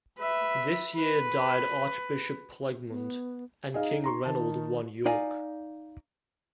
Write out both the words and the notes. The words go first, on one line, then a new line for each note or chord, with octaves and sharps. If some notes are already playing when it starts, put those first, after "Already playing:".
This year died Archbishop Plegmund; and King Reynold won York.
B4 E5
B4
B3
D#4 G#4 D#5 F5
A#5 C6 C#6
D#3 A5
D#4 D5 F5 G#5